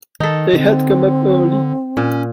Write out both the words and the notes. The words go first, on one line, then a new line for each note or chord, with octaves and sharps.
They had come up early.
D#3 D#4 A4
D3 C4
A#2 C#4